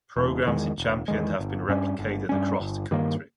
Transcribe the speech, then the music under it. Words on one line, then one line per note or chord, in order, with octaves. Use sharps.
Programs he championed have been replicated across the country.
E1
E2 D#3 G#3
E1
E2 D#3 G#3
G1
G2 G3 C#4
G1
G2 G3 C#4
G1
G2 D#3 A#3